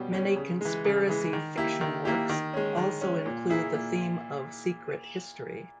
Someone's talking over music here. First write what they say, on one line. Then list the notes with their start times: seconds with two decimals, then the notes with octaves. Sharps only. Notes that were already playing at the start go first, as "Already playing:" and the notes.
Many conspiracy fiction works also include the theme of secret history.
Already playing: B2 G3 C#4 G4
0.12 G3 C#4 G4
0.36 C#3
0.61 E3 G#3
0.85 C#3
1.09 E3 G#3
1.33 D#3
1.57 A#3 E4 G4
1.81 D#3
2.05 A#3 E4 G4
2.29 D#3
2.54 G#3 C#4
2.77 D#3
3.01 G#3 C#4
3.26 A#2
3.50 A#3 E4 G#4
3.73 A#2